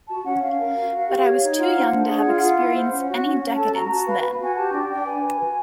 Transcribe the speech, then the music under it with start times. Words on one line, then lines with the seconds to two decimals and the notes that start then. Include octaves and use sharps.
But I was too young to have experienced any decadence, then.
0.08 F#4 A5
0.25 C#4 F#5
0.41 C#4 F5
0.58 A#4
0.74 F#4
0.92 F#4
1.07 G4
1.24 C#5
1.41 D#4
1.57 F4 F#5
1.75 C5
1.91 D4
2.07 G#4
2.25 F4
2.40 F4
2.58 E4
2.74 C5
2.90 C#4
3.07 F#4
3.24 C#4
3.40 C#4
3.57 A4 A5
3.74 F#4 A#5
3.90 F#4 A5
4.06 B4 F5
4.23 B4
4.40 F#4 G#5
4.56 G4 A5
4.73 D4 G5
4.90 D4 G5
5.06 B4 G#5
5.24 B4
5.40 F#4